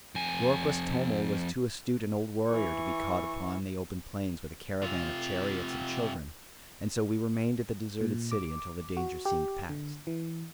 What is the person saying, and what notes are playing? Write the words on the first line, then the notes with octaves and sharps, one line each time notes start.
Lorquas Ptomel was too astute an old warrior to be caught upon the open plains with a caravan of chariots and children, and so we remained at the deserted city until the danger seemed passed.
F2 G#5
E3 C#6
C3 F4
A#2
D6
F#4
G4
D3
E3